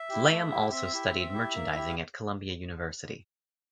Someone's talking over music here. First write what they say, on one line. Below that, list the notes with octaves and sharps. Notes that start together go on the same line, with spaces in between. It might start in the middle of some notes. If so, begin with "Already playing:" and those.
Lamb also studied merchandising at Columbia University.
Already playing: E5
E4 G4
A3
E4 G4
C4 E5
E4 G4
C4
E4 G4
A#3
E4 G4
F5